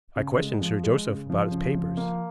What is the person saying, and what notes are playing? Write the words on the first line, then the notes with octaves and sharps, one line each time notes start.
I questioned Sir Joseph about his papers.
C#3
G#3
F3
G#3
C#3
F3
C#3
F3
A#3